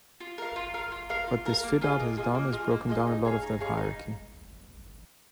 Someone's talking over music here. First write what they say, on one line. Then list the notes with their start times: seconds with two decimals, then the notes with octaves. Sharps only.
What this fitout has done is broken down a lot of that hierarchy.
0.20 F4
0.38 A#4 F5
0.56 F4
0.74 A#4 F5
0.92 F4
1.10 A#4 F5
1.27 F4
1.46 A#4 F5
1.63 A#3
1.81 F4 G#4 D#5
2.00 A#3
2.17 F4 G#4 D#5
2.35 A#3
2.52 F4 G#4 D#5
2.71 A#3
2.89 F4 G#4 D#5
3.07 D#4
3.25 G#4 C#5 F5
3.42 D#4
3.60 G#4 C#5 F5
3.78 D#4